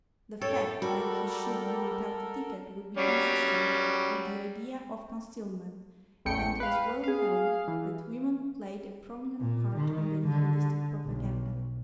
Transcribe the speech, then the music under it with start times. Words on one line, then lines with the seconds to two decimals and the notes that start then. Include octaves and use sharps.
The fact that he should be without a ticket would be consistent with the idea of concealment, and it was well known that women played a prominent part in the Nihilistic propaganda.
0.41 F#2 A2 A4 C#5 G5
0.82 G3 F#4 A4 A#4
2.97 F#3 G3 C#4
6.25 A1 E2 A3 G5 C#7
6.60 B4 F5
7.03 G#4 F5
7.68 E3
9.39 A#2
9.75 D#3
10.27 D3
11.03 B1